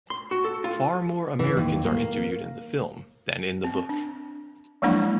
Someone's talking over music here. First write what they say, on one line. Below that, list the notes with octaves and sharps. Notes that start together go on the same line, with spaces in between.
Far more Americans are interviewed in the film than in the book.
C6
F#4
A4
F4
E3
D#2
A#3
C4
D4
F3 F#3 G#3 A#3 D4 E4